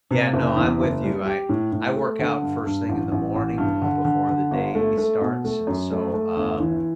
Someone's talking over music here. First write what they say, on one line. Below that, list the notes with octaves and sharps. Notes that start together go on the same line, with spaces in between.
Yeah, no, I'm with you. I I work out first thing in the morning, uh, before the day starts, and so, um,
C3
F#1
E2
F#1
G3
G4
A2
A2
A3
D3
G2
G2
A1
A1
A1
G2
D3
D3
D3
G1
A3
A3
B2
A3
F#2
A3
A3
G1
E3